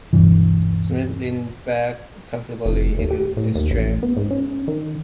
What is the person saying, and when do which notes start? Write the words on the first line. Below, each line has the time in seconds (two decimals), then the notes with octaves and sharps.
Smith leaned back comfortably in his chair.
0.13 E1 D2 G2 E3
2.65 F1
2.98 D#2
3.11 G4
3.37 A2
3.55 D#2
3.71 A1
4.03 B3
4.17 G#2
4.31 C#4
4.68 D#3